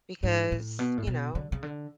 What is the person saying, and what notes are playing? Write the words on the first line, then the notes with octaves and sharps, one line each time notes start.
because, you know
G#2
A2
B2
A2
B2
D3
C#3
D3